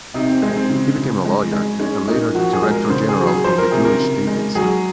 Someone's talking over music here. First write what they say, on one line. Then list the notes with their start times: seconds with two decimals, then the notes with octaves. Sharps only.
He became a lawyer, and later Director General of the Jewish Agency.
0.14 C3 D#4
0.29 C4
0.42 G#3 C4
0.56 C4
0.70 C#3
0.97 C#3
1.25 G#3
1.52 G#3
1.79 G#3 C#4
2.08 A#2 D#4
2.35 F3 F#4
2.53 G#4
2.62 G#3
2.71 A#4
2.90 C#3 C5
3.09 G#4
3.17 F#3
3.27 G#4
3.44 F3 C5
3.58 A#4
3.71 C3 G#4
3.85 A#4
4.00 C#3
4.27 G#3
4.55 F#3 G#4